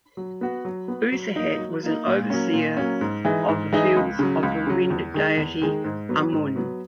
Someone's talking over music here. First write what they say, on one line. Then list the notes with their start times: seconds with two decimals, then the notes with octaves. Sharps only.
Userhet was an overseer of the fields of the wind deity Amun.
0.17 F#3
0.41 B3 F#4
0.65 F#3
0.88 B3 F#4
1.12 F#3
1.36 A#3 D#4
1.58 F#3
1.83 A#3 D#4
2.07 A#2
2.30 F#3 A#3 C#4
2.54 A#2
2.77 F#3 A#3 C#4
3.01 G#2
3.25 E3 G#3 D#4
3.48 G#2
3.73 E3 G#3 D#4
3.96 C#2
4.19 C#3 F#3
4.43 C#2
4.67 C#3 F#3
4.90 E2
5.14 D#3 G#3
5.37 E2
5.62 D#3 G#3
5.84 G#2
6.09 F#3 B3
6.33 G#2
6.56 F#3 B3